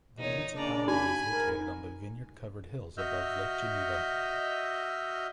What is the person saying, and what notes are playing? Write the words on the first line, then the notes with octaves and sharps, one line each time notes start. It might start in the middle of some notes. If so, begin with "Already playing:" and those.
The municipality is located on the vineyard covered hills above Lake Geneva.
E2 A#2 D#4 C#5
C#3 A#3 D4 D5 A#5
D#4 G#5 B5
G#2 A#4
F#4 D#5 E5 E6 F6 G6